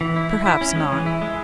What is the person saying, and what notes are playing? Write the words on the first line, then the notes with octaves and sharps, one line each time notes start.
'Perhaps not.
E3
E4
E4
E4
C#4
G#3
E3
E4
G#3